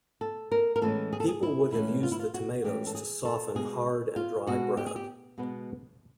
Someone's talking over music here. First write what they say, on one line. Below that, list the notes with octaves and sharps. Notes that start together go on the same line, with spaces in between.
People would have used the tomatoes to soften hard and dry bread.
A4
A#4
A#4
A2 E3 G#3 C#4 A4
G#4
A4
G#4
E4
A2 E3 G#3 C#4 E4
F4
E4
F4
F#4
A2 E3 G#3 C#4 G4
A4
G#4
A4
B2 G#3 B3 G#4
F4
B2 G#3 B3 F#4
G4
G#4
G4
B2 G#3 B3